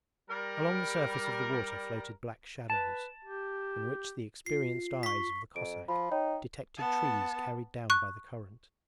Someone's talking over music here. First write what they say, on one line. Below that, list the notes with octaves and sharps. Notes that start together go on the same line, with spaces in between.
Along the surface of the water floated black shadows, in which the experienced eyes of the Cossack detected trees carried down by the current.
G3 A#4
B4 A5
G4
F4 C7
C#6 B6
F2 D7
F3 B5
D#4 C#5 G5
B3 A5
C#6 F#6